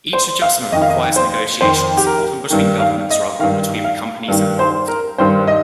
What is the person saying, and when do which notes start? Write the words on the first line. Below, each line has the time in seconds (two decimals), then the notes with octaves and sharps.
Each adjustment requires negotiations, often between governments rather than between the companies involved.
0.13 C5
0.42 F5
0.72 F2 D#3 D#5
0.82 F5
0.90 D#5
1.16 C5
1.61 F2 D#3 C5
1.97 G4
2.06 A#4
2.50 G2 D#3
2.80 F5
3.10 D#5
3.39 G2 D#3 F5
3.84 F5
4.28 G2 D#3
4.59 C5
4.88 A#4
5.18 G2 D#3 C5
5.47 D#5